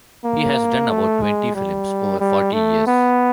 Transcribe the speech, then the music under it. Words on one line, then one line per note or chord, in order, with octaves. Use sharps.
He has done about twenty films over forty years.
A#3
A3
G#3
G3
G3
A3
B3